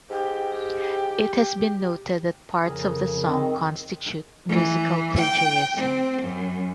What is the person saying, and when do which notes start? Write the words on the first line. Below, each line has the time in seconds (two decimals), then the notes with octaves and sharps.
It has been noted that parts of the song constitute musical plagiarism.
0.10 G#2 G4
2.65 F2 C#3 G#4 A#4
3.25 D#3 C4 D#5
4.49 E3
5.17 G5
5.77 C4
6.22 F#2